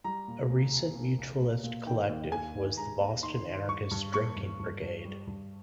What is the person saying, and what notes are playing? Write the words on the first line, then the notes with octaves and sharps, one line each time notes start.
A recent mutualist collective was the Boston Anarchist Drinking Brigade.
G3 A#5
A#2
A#1
A#1
A#3
A#1
A#2
A#2
D#3 G5
D#2
D#2 G#5
D#3
G#3 A#5
D#2
D#3 C6
D#3
G2 C#6
G2
A#3 C#6
G2
G2
G2
G3
G2